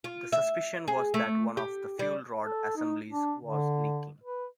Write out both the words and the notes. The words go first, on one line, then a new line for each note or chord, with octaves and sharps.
The suspicion was that one of the fuel rod assemblies was leaking.
F4
E5
G#4
A3
G4
G3
A4
D#4
D4
D3
B4